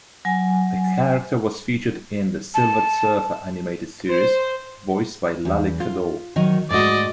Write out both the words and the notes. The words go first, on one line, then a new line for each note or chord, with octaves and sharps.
The character was featured in the "Silver Surfer" animated series, voiced by Lally Cadeau.
F#3 G#5
A5
C5
E2
F4
D#3 F#3 D#4
G#2 A3 F#4 D5 D#5